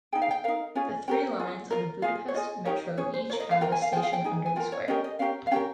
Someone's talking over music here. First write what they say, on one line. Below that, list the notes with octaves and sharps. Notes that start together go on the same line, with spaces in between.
The three lines of the Budapest Metro each have a station under the square.
D#4 G#4 G5
F5
G5
D#4 A#4 F5
C#4 F4 G#4
C#4 G4 A#4 G5
F4 G#4
F4 A#4
F4 G#4 F5
C#5
F4 G#4 D#5
D#4 G4 A#4 C#5
C#4 G#4 C#5
C5
F4 A#4 C#5
D#5
F5
F4 A#4 G5
G#5
F5
F4 G#4 G5
F5
G5
D#4 G#4
G#5
F4 A#4 G5
C#5
C#4 G4 A#4 D#5
D#5
C#4 G4 A#4 F5
F5
C#4 G4 A#4 G5